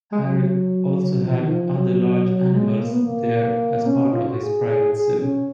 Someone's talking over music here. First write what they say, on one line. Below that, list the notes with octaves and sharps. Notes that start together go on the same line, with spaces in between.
Harry also had other large animals there as part of his private zoo.
G#3
F#3
F3
D#3
F3
F#3
F#3
G#3
A#3
B3
A#3
C#4
F4
F#4
G#4
G#4
G#4
C#4